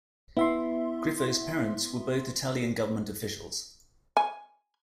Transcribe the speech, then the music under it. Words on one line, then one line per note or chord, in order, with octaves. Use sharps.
Grifo's parents were both Italian government officials.
B3 E4 E5 C6
G#5